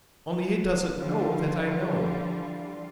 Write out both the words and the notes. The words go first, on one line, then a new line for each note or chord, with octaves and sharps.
Only he doesn't know that I know.
D3 E3 F3 G3 F4